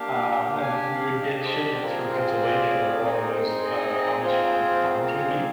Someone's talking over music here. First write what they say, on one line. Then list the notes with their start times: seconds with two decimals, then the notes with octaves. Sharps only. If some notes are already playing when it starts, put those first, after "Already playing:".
um, and we would get shipments from Pennsylvania where a lot of those, uh, Amish farm farms would be,
Already playing: A#3 D4 G4 F5
0.62 D4 G4 G#5
0.92 F5
1.22 D#5
1.45 C5
1.53 D5
1.82 C4 F4 G#4 A#4
2.12 C5
2.42 D5
3.02 C4 D#4 G#4 A#4
3.33 C5
3.63 D#5
3.94 D#5
4.23 C4 F4 G#4 C5
4.84 C5
4.99 A#4
5.14 C5
5.29 D5